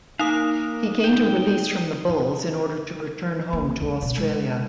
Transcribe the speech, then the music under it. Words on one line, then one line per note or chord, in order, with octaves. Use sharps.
He gained a release from the Bulls in order to return home to Australia.
A#3 D#4 A#4 F5 D#6
G5
A#3
C#2
B2
G#3